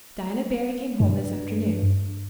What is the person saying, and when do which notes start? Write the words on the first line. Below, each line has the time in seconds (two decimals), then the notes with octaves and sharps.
Diana Barry came home this afternoon.
1.00 G2